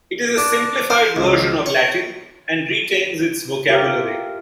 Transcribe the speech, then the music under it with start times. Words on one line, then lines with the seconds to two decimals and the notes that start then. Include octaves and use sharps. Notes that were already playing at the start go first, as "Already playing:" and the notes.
It is a simplified version of Latin, and retains its vocabulary.
0.38 D4
0.90 C5
1.16 C#2
1.66 C#5
3.69 F4 G4 A#4 E5